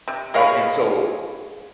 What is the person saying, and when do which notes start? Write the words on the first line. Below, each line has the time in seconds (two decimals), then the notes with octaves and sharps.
I and so,
0.08 C3
0.34 G#4 A#4 C#5 D#5 F5 B5